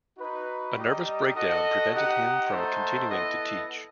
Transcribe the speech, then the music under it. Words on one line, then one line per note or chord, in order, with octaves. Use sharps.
A nervous breakdown prevented him from continuing to teach.
D#4 F#4 B4
G3 D#4 G4 D#5
F#4 A4 D#5
D#4 G4 D#5 F#5
A3 D#4 A4 C5 F#5
B3 E4 A4 D#5 F#5